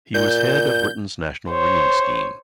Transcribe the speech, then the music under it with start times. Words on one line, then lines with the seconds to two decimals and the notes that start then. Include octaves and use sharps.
He was head of Britain's National Ringing Scheme.
0.14 A#2 G6
1.50 C5 C#5